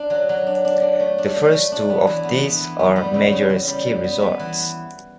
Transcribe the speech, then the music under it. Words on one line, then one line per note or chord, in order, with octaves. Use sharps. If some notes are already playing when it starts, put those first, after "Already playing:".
The first two of these are major ski resorts.
Already playing: D4
F#3
F#3
D4
D4
D4
A3
D4
A3
A3
D4
B3
E3
B3
B3
E3
B3
G3
C#3
C#3
C#3
G3
G3
B3
B3
E3